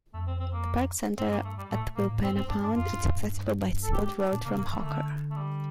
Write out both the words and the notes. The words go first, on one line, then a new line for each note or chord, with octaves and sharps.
The park centre at Wilpena Pound is accessible by sealed road from Hawker.
F2 A3
C4
C4
A#3
G2 C4
A#3
A3
G3
A2 A3
A2 A#3
A2
G2 C4
C4
G2
D4
G2
D4
F2 F4
G2
F2
G2
G2
A4
G4
G4
D4
A#2 D4
C3 A#3
G2 A#3
D#3 A3
A#3
D3 A3
A3
G3